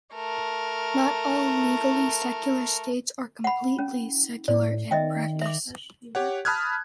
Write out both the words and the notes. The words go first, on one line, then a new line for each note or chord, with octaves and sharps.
Not all legally secular states are completely secular in practice.
A3 A#4
F#5 B5
C#4
A2 D5
D#3 D#5 E5 G5
E5 D6
G4 C#5 F#5
A5 B5 D#6 F6 F#6 G#6